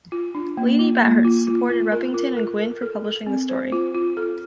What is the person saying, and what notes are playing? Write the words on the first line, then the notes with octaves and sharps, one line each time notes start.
Lady Bathurst supported Repington and Gwynne for publishing the story.
F4
D4
A#3
F4
A#3
F4
F4
F4
A#4
F4
A#4
A#4
A4
A4
C4
C5
F4
F4
A4